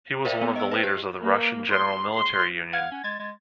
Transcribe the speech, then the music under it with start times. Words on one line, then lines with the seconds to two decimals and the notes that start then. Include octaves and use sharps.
He was one of the leaders of the Russian General Military Union.
0.25 A#4 C5 D5 E5 F5 G5
0.42 B3
0.56 D#5 E6
0.71 B4 C5 G5
0.84 G4
1.21 A#3
1.71 C6
2.15 C6
2.73 F5 F#5 G#6
2.91 C#4
3.04 G#3 G#6 A6
3.19 G#3